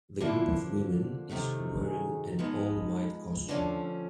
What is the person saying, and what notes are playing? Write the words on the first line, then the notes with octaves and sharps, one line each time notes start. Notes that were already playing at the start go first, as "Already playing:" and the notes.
The group of women is wearing an all white costume.
F2 D3 F3 A#3 D4 E4
C3 D#3 F#3 A3
G#4
G#2 F3 G#3 B3 D#4
D3 F3 A3 C#4 D4